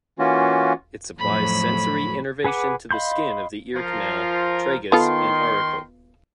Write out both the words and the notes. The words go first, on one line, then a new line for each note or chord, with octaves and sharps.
It supplies sensory innervation to the skin of the ear canal, tragus, and auricle.
E3 A#3 C#4 F4 F#4
F2 A2 F#3 B5
G#4 B4 F#5 G#5 D6
D#5 F5 B5 C6 G6
F3 F4 A#4
D#3 B3 F4 A4 C6